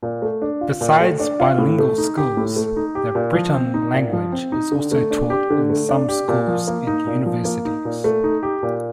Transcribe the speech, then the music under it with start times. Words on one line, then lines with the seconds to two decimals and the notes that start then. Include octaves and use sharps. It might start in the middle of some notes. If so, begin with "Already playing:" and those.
Besides bilingual schools, the Breton language is also taught in some schools and universities.
0.03 A#2
0.22 A3
0.42 D4
0.61 F4
0.81 A#2
1.00 A3
1.20 D4
1.40 F4
1.58 A2
1.79 A3
1.98 D#4
2.17 G4
2.37 A2
2.56 A3
2.77 D#4
2.95 G4
3.15 A#2
3.35 F3
3.54 C4
3.74 D#4
3.94 A#2
4.13 F3
4.32 C4
4.52 D#4
4.72 D3
4.92 A3
5.11 D4
5.30 G4
5.50 D3
5.70 A3
5.89 D4
6.09 G4
6.28 A#2
6.48 F3
6.68 A#3
6.87 D#4
7.07 A#2
7.26 F3
7.45 A#3
7.65 D#4
7.85 A#2
8.04 A3
8.24 D#4
8.43 G4
8.63 A#2